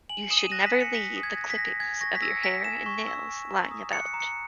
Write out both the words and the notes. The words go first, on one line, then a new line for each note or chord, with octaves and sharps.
You should never leave the clippings of your hair and nails lying about.
G#5 F#7
D#6 E7
D#7
F#6 A#6
B6
G#5
C#7
G#5 B6
D#6
G#6
F#6 A#6
B6
G#5 A#6
G#5 G#6
C#6 A#6
B6
E6 A#6
G#5 B6
G#5 E7
C#6
E6
G#5
A#5
D#6
F#6 C#7
C#7
A#5
C#7